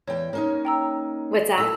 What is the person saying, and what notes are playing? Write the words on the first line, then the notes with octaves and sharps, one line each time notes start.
what's that?
E2 C#5 G5
A#3 C#4 D#4 C#5
G5 A#5 E6
E4 A4 E6